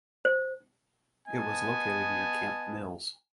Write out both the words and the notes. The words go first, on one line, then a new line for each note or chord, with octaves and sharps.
It was located near Camp Mills.
C5
B3 D#5 G#5 A5